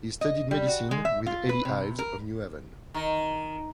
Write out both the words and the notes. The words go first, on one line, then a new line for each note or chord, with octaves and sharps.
He studied medicine with Eli Ives of New Haven.
D#5
G3
F#4
G#3
E5
F4
B4
C3
A#4
D#3